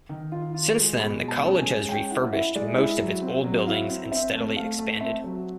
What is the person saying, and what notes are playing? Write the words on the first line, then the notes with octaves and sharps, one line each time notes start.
Since then the college has refurbished most of its old buildings and steadily expanded.
D#3
F4
F4
G#3
B2 B5
G#3
A5
C#4
G#5
G#3
G#5
C#4 G5
E4 F#5
E4 E5
G#3 D5
E4 E5
F#3
C4
F#3
E4 F5
C4
C4 E5
A3
A3 F5
A3
C4 E5
F#3